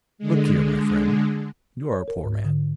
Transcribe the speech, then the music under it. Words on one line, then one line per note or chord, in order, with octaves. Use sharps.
'Look here, my friend, you are a poor man.
D3 G#3
C#5
A#4
G#2
D3